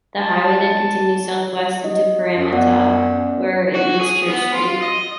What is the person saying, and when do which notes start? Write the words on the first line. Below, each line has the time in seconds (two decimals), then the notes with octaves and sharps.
The highway then continues south-west into Parramatta where it meets Church Street.
0.19 A5
1.84 D#5
2.36 F#2
2.53 B3 D5 F#5
3.75 F#4
4.01 G#4
4.30 B3
4.55 F4
4.82 D#5